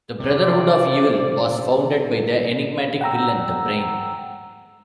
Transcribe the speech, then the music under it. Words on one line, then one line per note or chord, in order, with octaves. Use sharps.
The Brotherhood of Evil was founded by the enigmatic villain the Brain.
C3 D5
F#5 G5 A#5 E6